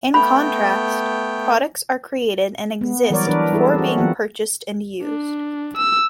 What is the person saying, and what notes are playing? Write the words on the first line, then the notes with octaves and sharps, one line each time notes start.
In contrast, products are created and "exist" before being purchased and used.
A3 B3 G5 B5
B3
E3 F#3 G3 A#4 C#5 D5
E3 D4 A#4 B4
G3 E4 G#4 A4
C4 F#4
E3 F#3 B3 F4 G4 F#5
D4
E6